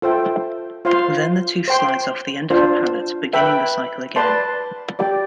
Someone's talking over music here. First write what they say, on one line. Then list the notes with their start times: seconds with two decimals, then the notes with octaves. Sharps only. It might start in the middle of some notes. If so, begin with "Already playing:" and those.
Then the tooth slides off the end of the pallet, beginning the cycle again.
0.02 F4 A4 C5 E5 G5
0.85 F4 C5 F5 C6
1.68 C5 G5 C6
2.50 D4 F4 C5
3.33 B4 E5 G5 B5
4.16 B4 D5 A5 C6
4.99 G4 D5 G5